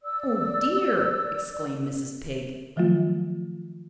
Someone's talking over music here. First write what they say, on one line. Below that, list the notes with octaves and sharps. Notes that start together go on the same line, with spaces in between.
"Oh dear!" exclaimed Mrs. Pig.
D5 E6
D#3 F3 F#3 A3 F4